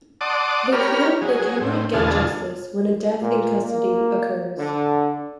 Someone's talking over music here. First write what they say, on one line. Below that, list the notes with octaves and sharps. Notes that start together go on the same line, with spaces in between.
They feel they cannot get justice when a death in custody occurs.
D5 F#5 A5 C6 D6 D#6
G4 A#4 C#5 B5 F6
F#3 G#4
A2 C4
E2 B2 D3 F4 G#4 A5
A#2
A#3
D3